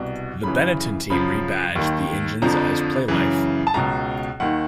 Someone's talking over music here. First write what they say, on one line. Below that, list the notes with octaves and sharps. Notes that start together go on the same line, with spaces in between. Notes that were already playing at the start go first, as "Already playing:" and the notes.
The Benetton team rebadged the engines as Playlife.
Already playing: C2 B2
F#2 C#3 E3 B5
F#2 C#3 F3 B5
D#2 D#3
F2 D3 F3 A#5
F#2 C#3 E3
A5
C#2 B2 A#5
D#2 D#3 F#5